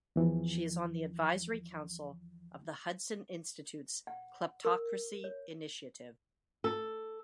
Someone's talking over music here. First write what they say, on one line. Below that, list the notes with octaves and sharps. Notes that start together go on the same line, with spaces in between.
She is on the Advisory Council of the Hudson Institute's Kleptocracy Initiative.
E2 E3 F3
F#5
A#4
C#5
A4